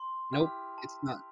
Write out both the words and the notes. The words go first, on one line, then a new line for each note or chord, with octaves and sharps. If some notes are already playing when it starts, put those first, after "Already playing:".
Nope, it's not.
Already playing: C6
E4 G4 F6
A5